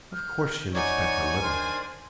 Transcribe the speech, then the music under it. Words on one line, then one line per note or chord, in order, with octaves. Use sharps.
"Of course she looks back a little."
F6 G6
D#4 C#5 D5 F#5 G#5 C#6
D#3 D4 C5 F6